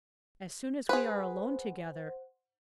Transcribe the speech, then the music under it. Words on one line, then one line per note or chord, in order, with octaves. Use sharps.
As soon as we are alone together.
G#4 B4 C5 F#5